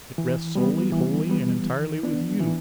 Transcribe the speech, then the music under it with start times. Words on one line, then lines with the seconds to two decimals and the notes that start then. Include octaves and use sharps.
It rests solely, wholly, and entirely with you.'
0.18 E3
0.55 G3 B3
0.92 E3
1.29 G3 B3
1.66 E3
2.03 B3 D4
2.40 E3